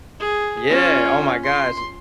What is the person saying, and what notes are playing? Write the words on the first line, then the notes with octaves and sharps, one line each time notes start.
Yeah! Oh, my gosh.
G#4
C#4 F4
C6